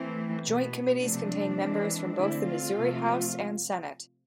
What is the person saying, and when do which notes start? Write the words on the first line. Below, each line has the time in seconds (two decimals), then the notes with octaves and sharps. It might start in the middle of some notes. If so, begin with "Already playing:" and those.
Joint Committees contain members from both the Missouri House and Senate.
Already playing: E3 A3 C4
0.44 B2 B3
1.01 C3 F3 A3 C4 D4
1.59 E3 G#3 C4
2.17 D3 A3 C4 E4
2.46 F4
2.74 C3 F3 A3 C4